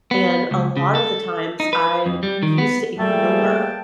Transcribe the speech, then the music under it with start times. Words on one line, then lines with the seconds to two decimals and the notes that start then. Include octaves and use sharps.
and a lotta the times, I used to ignore
0.11 B3
0.51 C#2
0.77 C#3
0.95 A4
1.60 D#4
1.73 B4
2.06 F2
2.23 G3
2.43 D#3
2.58 B3
2.98 G3 A3 A#3 G4 G#4 G5 A5